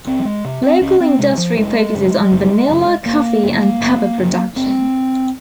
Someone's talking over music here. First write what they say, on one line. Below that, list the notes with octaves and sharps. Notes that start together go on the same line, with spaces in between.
Local industry focuses on vanilla, coffee, and pepper production.
C#2 C4
F#3
G#3
C3
C4
C#2 C#4
C4
C3 G#3
F3
F#1 G#3
F#2 C#3
F#1
F#2 C#3
F#1 A#3
F#2 C#3
F#1
F#2 C#3
F#1 C4